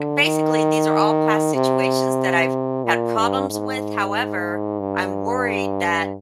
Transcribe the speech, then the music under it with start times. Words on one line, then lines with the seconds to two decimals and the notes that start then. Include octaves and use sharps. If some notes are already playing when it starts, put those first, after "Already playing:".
basically, these are all past situations that I've had problems with, however, I'm worried that,
Already playing: D3
0.23 D#3
1.54 C3
2.84 A#2
3.17 G2
3.50 G#2
4.80 G2